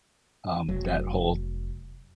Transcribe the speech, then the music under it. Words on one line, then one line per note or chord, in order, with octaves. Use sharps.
um, that whole
F1 F#3